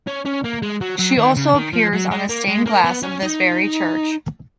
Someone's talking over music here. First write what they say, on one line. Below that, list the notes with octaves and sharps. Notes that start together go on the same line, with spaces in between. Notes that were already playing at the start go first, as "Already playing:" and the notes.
She also appears on a stained glass of this very church.
C#4
C#4
A#3
G#3
F#3
F#3
D#3
C#3
D#3
F3
F#3
G#3
A#3
G#3
A#3
B3
C#4
D#4